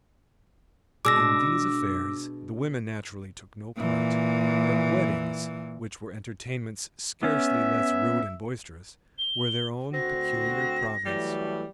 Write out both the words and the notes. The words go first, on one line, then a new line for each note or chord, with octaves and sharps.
In these affairs the women naturally took no part; but weddings, which were entertainments scarcely less rude and boisterous, were their own peculiar province.
B2 G#3 D4 D6 E6 A#6
A#2 E3
B3 C#4 E5
G7
D2 C4 F#4 A#6
E3 F#3 G3 A3